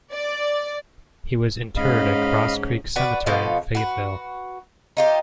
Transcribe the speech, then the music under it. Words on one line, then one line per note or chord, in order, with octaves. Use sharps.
He was interred at Cross Creek Cemetery in Fayetteville.
D5
G#2 C#4 D#5 F5 B5
F#4 B4 D5
B2 F3 A4 F5
F#4 B4
D#4 F4 G4